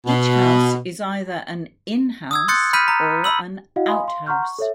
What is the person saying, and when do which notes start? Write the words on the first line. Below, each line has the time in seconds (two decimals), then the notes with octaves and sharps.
Each house is either an 'in-house' or an 'out-house'.
0.06 B2
2.31 D#6 E6 G#6
2.48 C6 D#6 F#6 G6 A6 C#7
2.73 B5 F6 G6 B6 D#7
2.88 A#5
3.24 B5 E6 F#7
3.76 E4 F#4 D#5 F5 F#5
3.88 D#5 F5 G#5 B5 C6 D#6
4.04 F5 C6
4.26 F#5 A#5 C6 C#6 F6 G6
4.43 C#6
4.59 A4 C#5 E5